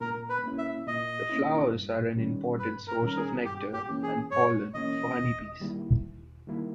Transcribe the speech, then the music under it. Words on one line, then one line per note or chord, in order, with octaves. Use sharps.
The flowers are an important source of nectar and pollen for honey bees.
A#2 A#4
B4
A#3 C#4 E4
E5
A#2 D#5
A#3 C#4 E4
G2
D#3 G3 C#4
G2 B4
A#4
D#3 G3 C#4 A#4
G#4
G2 G4
G4
E3 A#3 C#4
G#4
G2 C#5
E3 A#3 C#4 D#5
D#2
D#3 G3 A#3 E4
D#2
D#3 G3 A#3 E4